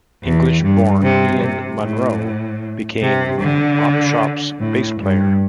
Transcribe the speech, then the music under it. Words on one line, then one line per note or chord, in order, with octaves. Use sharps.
English-born Ian Munro became Opshop's bass player.
E2
G2
C3
C3
A2
C3
D3
A2
G2